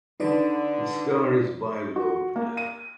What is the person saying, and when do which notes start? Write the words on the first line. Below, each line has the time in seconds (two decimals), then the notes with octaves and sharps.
The scar is bilobed.
0.20 D3 D#4 B4 D5
1.96 F#4
2.36 A#3
2.57 D#7